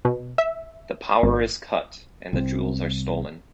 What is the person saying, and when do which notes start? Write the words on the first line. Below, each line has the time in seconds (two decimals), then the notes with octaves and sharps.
The power is cut, and the jewels are stolen.
0.05 B2
0.38 E5
1.23 G#1
2.33 C2 E3 C4